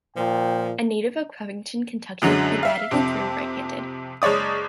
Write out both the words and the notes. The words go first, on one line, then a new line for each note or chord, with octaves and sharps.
A native of Covington, Kentucky, he batted and threw right-handed.
A#2 F3 G5
F#2 D3 F#3 G#3
E5 F5
F2 C3
F#1 G#3 C#5 D5 D#6